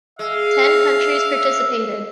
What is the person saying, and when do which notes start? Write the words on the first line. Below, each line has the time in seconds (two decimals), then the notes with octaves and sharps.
Ten countries participated.
0.19 G#3 E5 F5